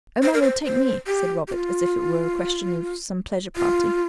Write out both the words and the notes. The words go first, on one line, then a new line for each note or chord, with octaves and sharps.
"Oh, my Lord, take me," said Robert, as if it were a question of some pleasure party.
C5
A#4
C5
C5
G4
G4
F4
F4